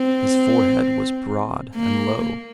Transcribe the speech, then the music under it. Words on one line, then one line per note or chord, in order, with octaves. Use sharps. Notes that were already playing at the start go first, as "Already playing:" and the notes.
His forehead was broad and low.
Already playing: C4
A#3